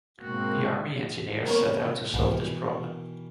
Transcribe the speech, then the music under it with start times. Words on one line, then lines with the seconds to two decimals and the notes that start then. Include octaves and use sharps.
The Army Engineers set out to solve this problem.
0.20 G#2 B2 A#3 C4 F#4
1.47 A#3 B3 C#4 A#4 C#5
2.14 C2 G#2 B2 D#3 E3